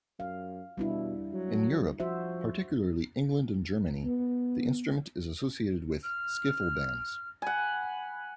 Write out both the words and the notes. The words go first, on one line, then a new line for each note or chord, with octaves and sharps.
In Europe, particularly England and Germany, the instrument is associated with skiffle bands.
F#2 F5
B2 G3 D4 E4
F#3
F3 F#4 C5 E5
B3
F6
F#5 G#5 B5